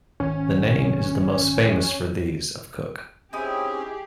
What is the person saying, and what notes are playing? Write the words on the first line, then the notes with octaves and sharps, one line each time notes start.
The name is the most famous for these of Cook.
G#1 C#4
C4 C#4 D#4 E4 G4 G#4 D#6